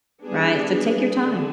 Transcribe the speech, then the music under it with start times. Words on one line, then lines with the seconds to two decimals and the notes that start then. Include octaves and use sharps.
right, so, take your time.
0.24 G3 B3 D4 G#4
0.72 G#4
1.21 D3